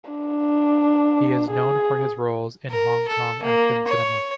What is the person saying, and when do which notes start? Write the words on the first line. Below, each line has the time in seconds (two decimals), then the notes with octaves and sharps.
He is known for his roles in Hong Kong action cinema.
0.10 D4
1.51 G#4
2.70 A#4
3.08 A4
3.43 A#3
3.87 C#5